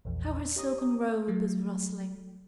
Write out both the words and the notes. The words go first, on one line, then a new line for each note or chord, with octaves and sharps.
How her silken robe is rustling!
A#1 E2
G4 C#5 D#5 A#5 D#6
F#3 A3